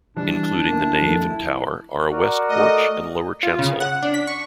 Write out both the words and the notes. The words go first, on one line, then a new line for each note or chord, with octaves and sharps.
Including the nave and tower are a west porch and lower chancel.
E3 G3 D4
A#3 E4
F2 A3 A#3
E4
F#4 A#4 D5
A3 D#5
F4
C#3
F#5
D4
B6
C#6